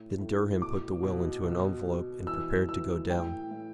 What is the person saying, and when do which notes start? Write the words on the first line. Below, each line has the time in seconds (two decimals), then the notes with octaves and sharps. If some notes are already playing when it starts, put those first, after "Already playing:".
Then Durham put the will into an envelope and prepared to go down.
Already playing: A2
0.21 A2
0.62 B2 D6
1.03 B2
1.45 B2
1.86 B2
2.27 E3 E6
2.69 E3 E6
3.10 A2 G5
3.51 A2